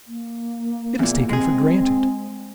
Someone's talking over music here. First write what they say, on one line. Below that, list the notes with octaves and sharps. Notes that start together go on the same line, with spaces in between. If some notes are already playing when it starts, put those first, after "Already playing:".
It is taken for granted.
A#3
E2 A#2
G#3 C4 G#4